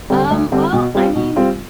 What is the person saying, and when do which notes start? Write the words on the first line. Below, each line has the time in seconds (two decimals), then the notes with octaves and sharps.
Um, well, I mean,
0.10 D3 G3 C4
0.31 D2
0.52 D3 G3 C4
0.73 B2
0.95 G3 C4 F4
1.16 B2
1.36 G3 C4 F4